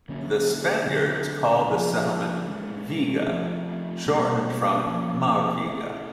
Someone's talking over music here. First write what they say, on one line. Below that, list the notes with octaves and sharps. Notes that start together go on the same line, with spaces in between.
The Spaniards called the settlement "Viga", shortened from "Marviga".
D3 F#3 A#3 C#4
D3 F#3 A3
C#3 F3 A#3
E3 G#3 C#4
F3 A3 C4
B2 G3 A#3
F3 A#3 C#4
E3 A3 C#4